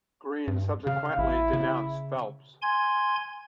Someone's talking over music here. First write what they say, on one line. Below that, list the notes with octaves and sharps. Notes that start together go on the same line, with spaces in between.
Green subsequently denounced Phelps.
G2
C#3 F5
A1 E4
C#3
G#5 C6 G#6